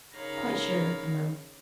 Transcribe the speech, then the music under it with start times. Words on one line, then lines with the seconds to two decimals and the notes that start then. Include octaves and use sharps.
"Quite sure," I murmured.
0.15 C#3 D#4 A#4 C#5 F5 B5